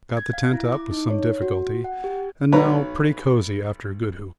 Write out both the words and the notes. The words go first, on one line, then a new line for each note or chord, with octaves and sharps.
Got the tent up with some difficulty, and now pretty cosy after good hoosh.
G#6
F5
E4
D6
D#4
C#5
F#4
F#5
G4
B1 B4 C#5 A#5